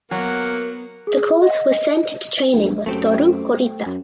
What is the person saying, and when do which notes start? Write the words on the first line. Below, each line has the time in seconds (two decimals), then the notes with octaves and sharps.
The colt was sent into training with Toru Kurita.
0.11 F#3 A#3 B3 A#4 F#5
1.07 G#4
1.42 D#5
2.54 A#1
2.86 F#2 A3 C4 G4
3.86 F#2